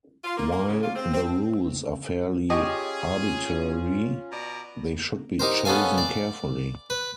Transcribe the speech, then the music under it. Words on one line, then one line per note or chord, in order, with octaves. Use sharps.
While the rules are fairly arbitrary, they should be chosen carefully.
F4
A#3
A#3
C#3
F4
C4
C4
C#4 F4 G4 G#4 D#5 C#6
B2 D5 A#5
D#4 G4 A#4 C5
B3 C#4 A4 F5 G#5
D5
B4